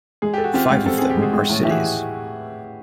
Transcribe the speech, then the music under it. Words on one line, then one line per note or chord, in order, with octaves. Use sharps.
Five of them are cities.
G#3 G#4
G4 A4
F#4
C4 F4 G4
G#3
C4 A4
C4 G#4
G4
G#3
F#4 G#4
G#3
A2
E3 G4
F#4 G#4